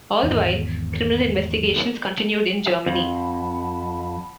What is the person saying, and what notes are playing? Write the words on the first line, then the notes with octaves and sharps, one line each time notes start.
All the while, criminal investigations continued in Germany.
G#1 E2
F2 F#5 A5 B5